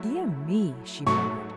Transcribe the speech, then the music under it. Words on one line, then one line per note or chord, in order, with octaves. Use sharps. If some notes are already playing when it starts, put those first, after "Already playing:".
"Dear me!" she murmured.
Already playing: F#3 A3 E4
G#2 F#3 A3 C#6